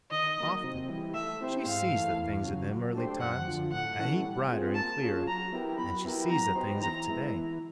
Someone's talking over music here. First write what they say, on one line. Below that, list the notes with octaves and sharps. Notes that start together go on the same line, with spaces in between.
Often she sees the things of them early times a heap brighter an' clearer than she sees the things of today.
D#3 D#5
F#3 A#3 D#4
C3
E3 G3
A3 E5
C4 E4 G4 C5
G#2 F5
E3 A3
E2
C#3 F#3
F#3
A3 D4 G4 C5
F#2 F#5
D3 F3
A2 F#5
E3 A3 C#4
G3
C4 F4 G#4
A#3 A5
C#4 F4 G#4
F#3 A#5
B3 E4 G4 A#4
F#3 B5
B3 E4 G4 A#4
F#3 A#5
B3 D#4 G4 C5
E3 A#5
G#3 B3 E4
E3